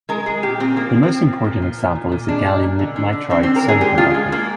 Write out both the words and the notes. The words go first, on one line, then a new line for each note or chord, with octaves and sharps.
The most important example is the gallium nitride semiconductor.
G#3 A#4
G#3 G#4
A#2 G4
A#2 C4
F3 A#3
F3
C4
F3
F3
A#2
F3
A#2
A#2
A#2
G#3 D4
A#2
A#2
D3
D3
D3
D3 C4
C4
D3
A#4
D3 G#4
G#3 G4
F3 F4
G#3
G#3 A#3